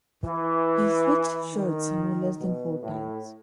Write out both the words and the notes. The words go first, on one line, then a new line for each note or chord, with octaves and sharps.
He 'switched' shirts no less than four times.
E3
D#3
B2
A2